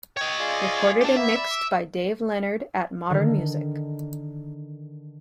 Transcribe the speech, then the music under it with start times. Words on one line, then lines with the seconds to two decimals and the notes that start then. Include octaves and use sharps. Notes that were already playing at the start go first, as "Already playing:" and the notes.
Recorded and Mixed by Dave Leonard at Modern Music.
0.17 C#5 D#5 G5
0.39 F4 G#4 D5
1.01 D4 G4
1.17 A#3 B3 E5
1.36 D5 E5 B5
1.51 D6
3.10 D3 D#3 A#4